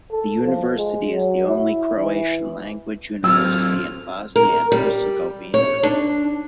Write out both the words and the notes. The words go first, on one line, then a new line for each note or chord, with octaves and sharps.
The University is the only Croatian language university in Bosnia and Herzegovina.
A4
F3
G#3
F#3
E4
E3
F#3 C4 F4 E6 F6
A#4
G3
C#5
D4